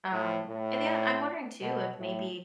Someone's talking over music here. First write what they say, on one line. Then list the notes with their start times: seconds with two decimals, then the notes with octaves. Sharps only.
Um, and then I'm wondering too if maybe
0.13 A2
0.49 A2
1.62 B2
1.99 A2